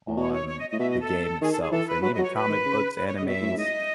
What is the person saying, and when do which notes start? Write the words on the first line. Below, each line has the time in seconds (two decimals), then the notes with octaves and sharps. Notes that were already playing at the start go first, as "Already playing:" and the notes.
on the game itself, and even comic books, animes,
0.08 A2
0.17 B2 C#5
0.33 C#5
0.48 C#5
0.59 D#5
0.69 A2 D#5
0.79 B2 E5
0.89 D#5
1.00 A4
1.41 D#3 G#4
1.51 A4
1.61 G#4
1.71 E3 A4
1.87 B4
2.02 F#3 B4
2.13 D#5
2.19 F#3
2.23 C#5
2.33 B4
2.49 D#3
2.65 C#3
2.95 B4
3.06 C#5
3.15 D#5
3.22 C#3
3.26 B2 E5
3.41 A2
3.50 F#2
3.56 G#2 D#5